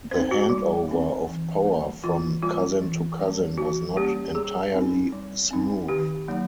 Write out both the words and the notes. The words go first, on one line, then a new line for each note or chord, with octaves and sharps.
The handover of power from cousin to cousin was not entirely smooth.
C4 D#4 C5
F#4
G3
C4 D#4
E3
G3 A#3
E3 F4
G3 A#3 F4
E3
G3 A#3 C#4
E3 F#4
G3 A#3 C#4 G4
G3 G#4
C4 D#4
G3
C4 D#4
D#3 G4
F#3 A#3 D#4